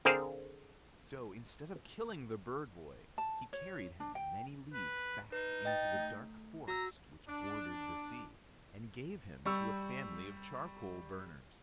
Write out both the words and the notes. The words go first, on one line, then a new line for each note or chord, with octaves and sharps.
So, instead of killing the bird-boy, he carried him many leagues back into the dark forest which bordered the sea, and gave him to a family of charcoal-burners.
D3 C4 G#4 A#4 C5 F5
A5
C#5
D4
G5
B4
D#4 B4
D#5 G5 A6
A3
F#4 A#5 E6
D4
G3 C#6 E6